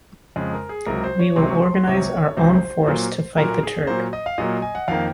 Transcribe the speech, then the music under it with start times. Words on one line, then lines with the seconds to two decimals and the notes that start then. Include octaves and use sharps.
We will organise our own force to fight the Turk.
0.36 F2 C#3 G#3
0.53 A#4
0.69 G#4
0.86 C#2 C3 F#3 A#4
1.04 C5
1.19 C#5
1.36 C#2 C3 F#3 C6
1.49 C#6
1.62 C6
1.74 C6
1.87 C#2 C3 F#3 C#5
2.37 C#2 C3 F#3 C5
2.87 A#2 F#3 A#3
3.38 A#2 F#3 A#3 A#4
3.63 G#4
3.87 A#2 F#3 A#3 C5
4.13 D#5
4.26 F5
4.38 A#2 F#3 A#3 D#5
4.62 G#5
4.75 F#5
4.88 F2 D#3 A#3 F5